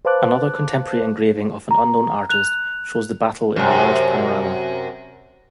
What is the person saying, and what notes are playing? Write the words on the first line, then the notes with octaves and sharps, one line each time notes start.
Another contemporary engraving of an unknown artist shows the battle in a large panorama.
B4 C5 F5 A5 D6 F#6
A#5
F#6 F7
F#2 C3